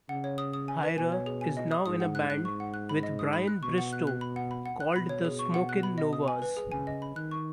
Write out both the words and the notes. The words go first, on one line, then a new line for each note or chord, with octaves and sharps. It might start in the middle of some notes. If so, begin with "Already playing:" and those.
Hyra is now in a band with Brian Bristow called the Smokin' Novas.
C#3 F#5
C#5
D#6
D#6
G#5
B4
B2 G#5
C#5
G#4
G#5
D#5
D#6
G#2 D#6
F#5
F#6
G#2 F#6
C#6
F#5
F#6
B5
D#5
D#6
B5
F#6
B2 C#6
F#5
F#6
F#6
B5
F#5
B5
F#5
F#6
B2 B5
C#5
G#4
C#6
F#5
F#6
B5
D#5
D#6
G#5
B4
G#4
C#3 G#5
D#5
B5
D#3 F#6
C#6